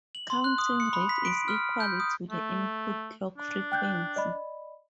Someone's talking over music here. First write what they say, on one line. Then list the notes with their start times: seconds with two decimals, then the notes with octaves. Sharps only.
Counting rate is equal to the input clock frequency.
0.15 F#7
0.30 C6
0.44 F#6
0.58 D#6
0.80 C#7
0.93 B5
1.09 B6
1.25 D7
1.48 F6
1.80 G6
2.00 D#6
2.30 A3
3.38 D4
3.72 G5 F#6 G6
4.16 D5 D#5 B5